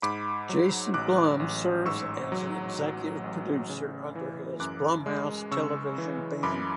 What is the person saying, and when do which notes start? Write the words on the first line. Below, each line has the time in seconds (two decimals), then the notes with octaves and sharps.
Jason Blum serves as an executive producer under his Blumhouse Television banner.
0.02 G#2 B5 D6
0.49 F#3
0.94 A1 D6 F#6
1.40 A1
1.85 G#2 C#6 E6
2.32 F#3
2.78 A1
3.24 A1
3.69 C#3
4.15 E3
4.60 F#2 D6 F#6
5.06 G#3
5.51 C#3 C#6 E6
5.98 E3
6.43 F#2 B5 D6